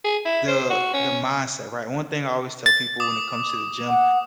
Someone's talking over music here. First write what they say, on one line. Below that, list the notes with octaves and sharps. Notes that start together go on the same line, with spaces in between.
the the mindset. Right? One thing I always tell people when it comes to the gym,
G#4
E4
C5
F#4
C#4
A6
D6 D#6
F#5